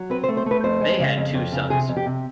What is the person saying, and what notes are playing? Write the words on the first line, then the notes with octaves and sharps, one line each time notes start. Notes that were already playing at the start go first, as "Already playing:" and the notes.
They had two sons.
Already playing: F#3
C4 B4
C5
A3
C5
A3 B4
F2 C5
G#3
C#3
F2
F2
C#3
C3 G#4
F2
G4
C3